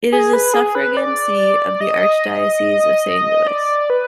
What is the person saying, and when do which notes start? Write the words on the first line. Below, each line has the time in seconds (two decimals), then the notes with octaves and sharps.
It is a suffragan see of the Archdiocese of Saint Louis.
0.12 G#4
0.33 B4
0.54 G#4
0.75 B4
0.97 D5
1.81 D#5
3.47 D5
3.90 B4